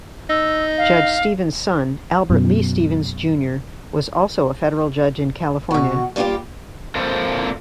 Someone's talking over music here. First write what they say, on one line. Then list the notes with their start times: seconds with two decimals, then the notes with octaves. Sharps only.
Judge Stephens' son, Albert Lee Stephens Junior was also a federal judge in California.
0.30 D#4 E6
0.78 F5
2.30 F#2 B2
5.71 B2 F#4
6.16 G3 A#3 E4 F4 G4
6.95 A#3 C4 F4 A4 C5